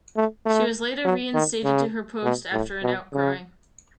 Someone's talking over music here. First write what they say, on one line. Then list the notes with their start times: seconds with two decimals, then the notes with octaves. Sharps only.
She was later re-instated to her post after an outcry.
0.17 A3
0.46 A3
1.05 F#3
1.34 D#3
1.64 C#3
2.24 B2
2.53 A2
2.83 B2
3.13 C#3